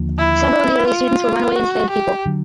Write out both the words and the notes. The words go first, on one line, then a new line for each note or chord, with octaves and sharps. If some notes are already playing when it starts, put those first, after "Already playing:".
Several of the early students were runaway enslaved people.
Already playing: D#2 D3 F3 A#3
E4
F4
F#4
G4
D3 F#3